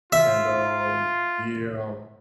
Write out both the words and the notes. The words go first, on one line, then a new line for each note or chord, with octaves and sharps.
and, um, yeah,
F4 E5